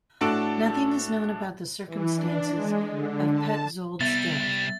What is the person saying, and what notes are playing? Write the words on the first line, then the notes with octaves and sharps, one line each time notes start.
Nothing is known about the circumstances of Petzold's death.
A2 D4 F#4 A4 A5 D7
E3
D4
G#3
D3
A5
C2 G3 B3 E5 A6